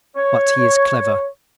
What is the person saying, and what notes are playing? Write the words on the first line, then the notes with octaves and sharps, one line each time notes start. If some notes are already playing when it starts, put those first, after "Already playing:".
But he is clever.
C#5